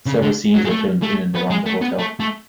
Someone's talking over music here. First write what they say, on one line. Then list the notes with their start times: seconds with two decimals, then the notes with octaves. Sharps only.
Several scenes were filmed in and around the hotel.
0.06 C#3
0.22 D3
0.54 F#3
0.65 G#3
0.70 A3
1.02 A3
1.35 B3
1.50 G#3
1.66 A3
1.81 B3
1.98 A3
2.20 A3